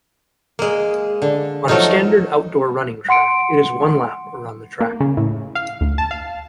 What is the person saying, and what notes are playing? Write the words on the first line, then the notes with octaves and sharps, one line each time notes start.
On a standard outdoor running track, it is one lap around the track.
G#3 A#3
D3
F3 F#3 A3 D#4 F4
F#5 C6 C#7 D7
A#3
C#3
A2
F5
D2
A5
F5